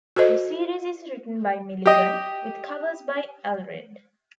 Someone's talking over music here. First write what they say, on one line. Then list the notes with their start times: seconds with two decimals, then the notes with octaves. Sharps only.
The series is written by Milligan, with covers by Allred.
0.16 F#4 A4 C5 D#5
1.86 G4 D#5